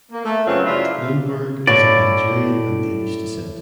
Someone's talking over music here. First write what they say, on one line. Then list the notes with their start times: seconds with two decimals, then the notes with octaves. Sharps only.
Lundberg is of Nigerian and Danish descent.
0.12 A#3
0.25 A3
0.47 F#2 C#3 E3 F#3 C4 F4
0.65 C#3 F#3 D4 E4 F4 E5
1.67 A2 D5